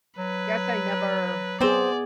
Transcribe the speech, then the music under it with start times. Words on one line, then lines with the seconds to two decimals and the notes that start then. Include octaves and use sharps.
guess I never
0.18 F#3 B4
1.61 B3 C4 G#4 C5 D5